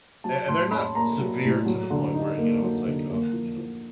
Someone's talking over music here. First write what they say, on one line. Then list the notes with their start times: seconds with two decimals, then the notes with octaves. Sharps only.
A and they're not severe to the point where, you know, it's like, um, you know,
0.24 F#3 A5
0.47 A2 C6
0.71 C#4 B5
0.95 A#3 A#5
1.19 F#3
1.43 A2
1.66 F#3
1.90 D3
2.14 D#4
2.38 A#3
2.62 F#3
2.85 D3
3.10 A#3
3.33 F3
3.57 F3